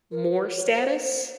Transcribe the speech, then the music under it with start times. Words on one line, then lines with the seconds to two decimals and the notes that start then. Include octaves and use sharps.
more status.
0.12 A#4
0.31 B4
0.51 C#5
0.77 C5
1.03 C5